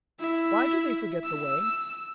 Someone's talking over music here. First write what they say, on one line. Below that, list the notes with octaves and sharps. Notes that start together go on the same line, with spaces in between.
"Why do they forget the way?"
E4 E5
E6